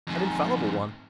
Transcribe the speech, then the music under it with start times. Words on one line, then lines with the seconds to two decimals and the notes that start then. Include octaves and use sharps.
"An infallible one."
0.07 F2 G#2